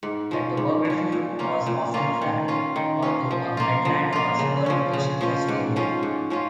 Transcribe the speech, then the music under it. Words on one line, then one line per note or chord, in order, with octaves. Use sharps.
The topography was often flat, although a headland or spur location was favoured.
G#2
F3 C#4
G#2
F3 C#4
A#2
A#3 C#4 F4
A#2
A#3 C#4 F4
D#3
C#4 F4
D#3
C#4 F4
F3
A#3 F4
F3
A#3 F4
C#3
F3 C#4
C#3
F3 C#4
G#2
F3 C#4 F4
G#2
F3 C#4 F4